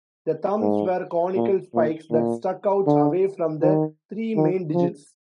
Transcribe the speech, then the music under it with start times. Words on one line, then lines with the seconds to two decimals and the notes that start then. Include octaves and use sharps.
The thumbs were conical spikes that stuck out away from the three main digits.
0.61 G#2
1.36 A#2
1.74 A#2
2.11 A#2
2.87 D3
3.61 D#3
4.36 D#3
4.74 F3